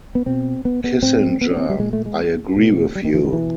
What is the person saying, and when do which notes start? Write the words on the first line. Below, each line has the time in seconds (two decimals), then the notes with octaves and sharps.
Kissinger: I agree with you.
0.15 B3
0.26 B2 C4
0.65 B3
0.84 B3
1.02 A2 C4
1.41 B3
1.51 C#4
1.57 B3
1.60 C4
1.70 G3
1.79 A#2 G#3
1.93 A3
2.06 G#3
2.57 B2
2.95 G3
3.05 D#3
3.14 E3
3.24 D#3
3.33 B2 E3